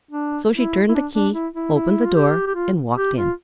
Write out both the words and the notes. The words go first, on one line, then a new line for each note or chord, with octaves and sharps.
So she turned the key, opened the door, and walked in.
D4
E4
E4
D4
D4
E4
E4
E4
F4
G4
G4
F4
G4
F4